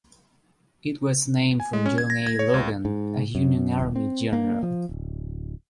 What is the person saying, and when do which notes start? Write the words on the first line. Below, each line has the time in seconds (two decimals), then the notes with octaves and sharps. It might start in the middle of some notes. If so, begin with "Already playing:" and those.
It was named for John A. Logan, a Union Army general.
1.60 G#5
1.73 G#3
1.86 C#4
1.98 G#6
2.10 A#6
2.27 G#6
2.39 C#5
2.54 C#2
2.85 G#2
3.35 F#2
3.80 D#1
3.96 C4
4.33 A#3
4.63 F3
4.89 D1